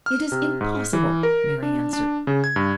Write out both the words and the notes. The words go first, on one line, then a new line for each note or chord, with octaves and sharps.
"It is impossible," Mary answered.
F6
C3
G#2
E3
A#4
D4
D4
C#3
G#6
G2